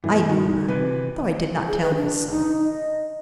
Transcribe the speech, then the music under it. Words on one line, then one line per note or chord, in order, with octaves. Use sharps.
I knew her, though I did not tell him so.
G2 B2 E3
D#4 F#4
C3 E3 B4
G#4
B4
D4
D#4
D#5